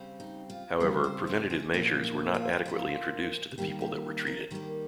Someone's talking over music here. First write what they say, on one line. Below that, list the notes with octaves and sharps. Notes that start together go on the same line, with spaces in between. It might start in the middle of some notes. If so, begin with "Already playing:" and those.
However, preventative measures were not adequately introduced to the people that were treated.
Already playing: C#3 G3 C4
D#4
F4
C#3 G3 C4 A#4
C5
C5
G#4
A#2 F3 A#3 C#4
D#4
F4
A#2 F3 A#3
D#3 G3 A#3 G4
G4
A#4
D#3 G3 A#3 A#4